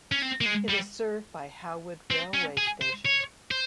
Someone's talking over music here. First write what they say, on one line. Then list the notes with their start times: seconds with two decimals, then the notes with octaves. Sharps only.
It is served by Howwood railway station.
0.12 C#4
0.22 C4
0.41 A#3
0.46 G#3
0.69 G3
2.11 C4
2.34 C#4
2.57 G#4
2.81 C5
3.05 C#5
3.51 C5